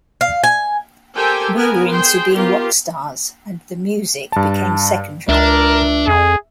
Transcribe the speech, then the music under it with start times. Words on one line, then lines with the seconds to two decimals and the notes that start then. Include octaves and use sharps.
We were into being rock stars and the music became secondary.
0.21 F5
0.44 G#5
1.16 G4 A4 A#4 C5 G5 G#5
1.56 B3 A#4 G#5
1.90 G#4 C5 G5 C6
2.34 B3 F4 G4 A#4
4.32 G2 A5
5.29 C#2 D4 A#4 E5
6.08 F2 G#4